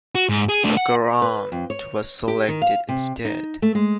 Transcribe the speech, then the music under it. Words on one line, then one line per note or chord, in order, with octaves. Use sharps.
The Garand was selected instead.
F#4
G#2
G#4
A3 D4
F#5
B4
F2
C#5
G4
D#3
F5
C3
D#4
A3
G#3